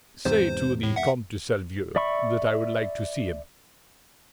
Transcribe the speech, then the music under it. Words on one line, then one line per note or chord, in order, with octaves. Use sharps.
"Say to the Comte de Salvieux that I would like to see him."
E2 G#2 C3 C5
A2
E5 F#5
D5 E5 B5 C#6